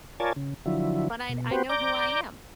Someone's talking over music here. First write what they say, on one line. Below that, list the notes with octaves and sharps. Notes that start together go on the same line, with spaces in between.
but I I know who I am,
F4 A#4 C#5 D5 G#5 A5
C#3
D3 F3 F#3 E4
B2
C4 F#4 G4 B4 C5
D5 A#5 D6 G6